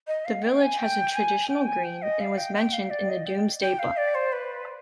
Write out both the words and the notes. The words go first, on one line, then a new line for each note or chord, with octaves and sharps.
The village has a traditional green and was mentioned in the Domesday Book.
D#5
F5
G5
G#5
G5
G#5
G5
G#5
G5
D#5
F5
G5
G5
F5
D5
D#5
G5
G5
F5
D5
C5
B4